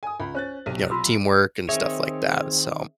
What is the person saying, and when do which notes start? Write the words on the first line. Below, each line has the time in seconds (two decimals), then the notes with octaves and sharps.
you know, teamwork and stuff like that, so,
0.03 G#5 D#6
0.20 C#2 B5
0.35 C#4 C5 C#5 F#6 A6
0.66 B1 C3 D#7
0.91 F4 C6 E6
1.69 D#3 C4 G#4 C#5 E5